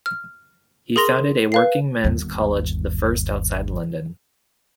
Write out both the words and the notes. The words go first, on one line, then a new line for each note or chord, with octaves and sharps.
He founded a Working Men's College, the first outside London.
F6
G#4 A#4 C6 A#6 F7
B4 F5 C7
G1 D#2